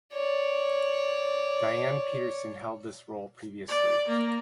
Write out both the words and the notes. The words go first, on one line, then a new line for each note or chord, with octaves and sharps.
Dianne Peterson held this role previously.
C#5 D5
D5
A#3